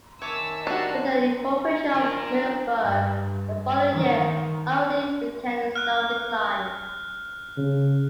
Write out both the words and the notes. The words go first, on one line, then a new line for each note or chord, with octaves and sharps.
With the incorporation of Middleburg the following year, Aldie began a slow decline.
D#3 C#5 E5 G#5 A5 D6 E6
D4 D#4 F#4 G4 C#5 C7
F3 D4 F4 A#4
G2
D#3
F6 F#6
C#3